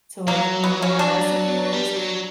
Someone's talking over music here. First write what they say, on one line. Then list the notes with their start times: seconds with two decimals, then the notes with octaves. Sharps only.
to, like, make my own recipes,
0.27 F#3 A#3
0.64 B3
0.82 C#4
0.99 D4
1.73 G3
1.96 F#3